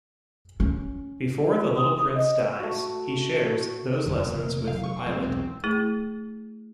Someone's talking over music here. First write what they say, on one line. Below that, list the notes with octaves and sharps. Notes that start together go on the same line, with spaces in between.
Before the Little Prince dies, he shares those lessons with The Pilot.
C#4
D#6
D#5
A3 F#4
F#1 E2 D3 C5
F1 C#3 E3 A#4
F#3 F5
C#6
F3 G#3 A#3 C4
B1 E2 G#2
A3 E4 G#4